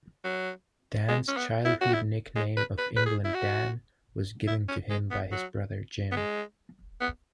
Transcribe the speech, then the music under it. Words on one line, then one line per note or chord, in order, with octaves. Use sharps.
Dan's childhood nickname of "England Dan" was given to him by his brother Jim.
F#3
G#3
C#4
B3
E4
F#4
E4
G#3
B4
B4
B4
G#4
E4
F#4
E4
C#4
G#3
B3
F#3
B3
G#3
B3